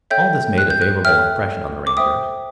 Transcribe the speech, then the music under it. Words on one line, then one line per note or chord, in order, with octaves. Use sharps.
All this made a favorable impression on the Rangers.
A4 C#5 E5 G5 G6
F#6
G6
F#6
A4 C#5 E5 G5 F6
D6
C5 E5 G5 D#6